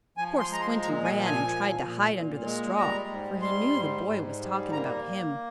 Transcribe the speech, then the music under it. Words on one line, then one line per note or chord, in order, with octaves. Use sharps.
Poor Squinty ran and tried to hide under the straw, for he knew the boy was talking about him.
F3 G#5
C6
G#3 A#5
C6
A#2 A#5
G#5
F3
G#5
A#2
A#2
A#2
G#3
G3 A#5
G#2
G3 C6
G#2
G#2
G3
A#3 A#5